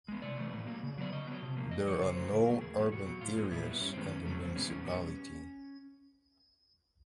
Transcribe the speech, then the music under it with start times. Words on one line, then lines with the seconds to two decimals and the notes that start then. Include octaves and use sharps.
There are no urban areas in the municipality.
0.08 G#3 B3
0.22 C3 D5
0.38 E3 A3
0.53 A2
0.67 F#3 A#3
0.83 C#3
0.98 F#3 B3 D5
1.12 C#3 D#5
1.27 F#3 B3
1.43 C3
1.57 F3 A#3
1.71 F2 D#5
1.87 D3 F3 C#5
2.02 C#3 C5
2.17 F#3 A3
2.32 C#3 A#4
2.46 F#3 A3
2.61 E2 G#4
2.77 B2 G3
2.91 E2 F#4
3.06 B2 F#3
3.21 A2 F4
3.36 F3 G#3 B3
3.51 A#2 E4
3.66 G3 B3
3.80 G2 C#4
3.93 D#3 G#3 B3 C4
4.06 F2 C#4
4.25 C#3 F#3 A3
4.40 G2 C4
4.56 E3 G#3 B3 C#4
4.70 E2 C#4
4.85 B2 G3 B3